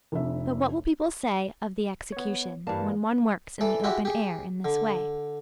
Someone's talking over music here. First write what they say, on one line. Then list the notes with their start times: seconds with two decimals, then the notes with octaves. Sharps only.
But what will people say of the execution when one works in the open air in this way?
0.12 F1 F2 D4 E5
2.12 B3 C#5
2.67 G2 E3 G3 A#3 A5
3.61 E3 A4 D5
3.84 G#3 E4 F#4 G4
4.05 G4 G#4
4.65 D3